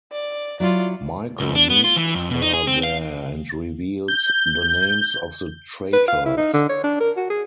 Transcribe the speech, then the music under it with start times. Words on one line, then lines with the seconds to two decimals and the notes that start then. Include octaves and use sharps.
Michael meets her there and reveals the names of the traitors.
0.12 D5
0.60 F#3 E4 F4 D5
1.40 C#2
1.55 D4
1.70 B3
1.84 F4
1.96 E3
2.15 F2
2.30 B2
2.42 D#4
2.53 G#4
2.67 C4
2.83 F5
4.08 G6
5.93 B4
6.08 F5
6.26 E4
6.37 D#4
6.53 D3
6.69 C#5
6.84 D4
7.01 A#4
7.17 F#4
7.30 G#4